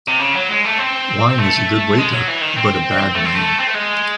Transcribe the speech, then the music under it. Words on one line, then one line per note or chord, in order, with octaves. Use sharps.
Wine is a good waiter, but a bad man.
C3
C#3
F#3
G#3
A3
C4
A3
G#3
F#3
E3
D#3
C4
A3
C4
A3
C4
A3
G#3